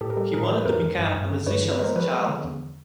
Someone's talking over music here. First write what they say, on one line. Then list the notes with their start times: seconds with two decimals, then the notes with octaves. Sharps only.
He wanted to become a musician as a child.
0.01 A2 G4 A4
0.10 A#4
0.17 G3 G4 A4
0.33 A2 G#4 A#4
0.49 E3 C5
0.58 B4
0.65 F2 A#4 C5
0.82 E3
0.99 G2
1.14 G2
1.31 D3
1.46 G2 B4 C#5
1.63 E3
1.72 B4 C#5
1.79 G#3 A#4 C5
1.96 F3 B4 C#5
2.12 G#3
2.29 D3
2.44 E2